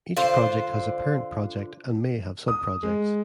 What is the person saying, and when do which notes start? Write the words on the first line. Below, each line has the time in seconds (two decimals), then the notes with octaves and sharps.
Each project has a parent project and may have sub projects.
0.17 D3 F4 C5
2.48 D#6
2.83 G#3